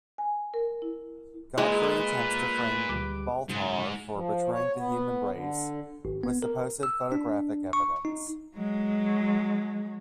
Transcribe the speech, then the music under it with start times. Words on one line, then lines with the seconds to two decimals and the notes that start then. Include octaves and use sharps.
Godfrey attempts to frame Baltar for betraying the human race with supposed photographic evidence.
0.18 G#5
0.54 A#4
0.82 E4
1.58 A#2 G#3 B4
2.89 D2 G3 D6
3.49 G#2 C#3 F#3
4.13 F3
4.52 C#5
4.75 B3
5.30 D3
6.05 G#1
6.23 B3
6.42 A#4
6.83 E6
7.12 D4
7.73 C#6
8.05 D#4
8.56 F#3 G#3